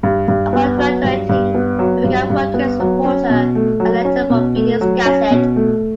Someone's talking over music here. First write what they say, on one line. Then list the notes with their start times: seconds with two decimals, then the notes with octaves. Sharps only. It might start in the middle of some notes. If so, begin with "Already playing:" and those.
Upon graduating, he began working as a reporter and editor for the "Phoenix Gazette".
0.03 G2
0.28 G2
0.53 B3
0.78 F#3
1.04 G2
1.29 G2
1.54 B3
1.79 F#3
2.04 G2
2.30 G2
2.54 B3
2.80 F#3
3.05 C#4
3.30 B2
3.55 A3
3.80 F#3
4.05 C#4
4.30 B2
4.56 A3
4.81 F#3
5.05 C#4
5.31 B2
5.56 A3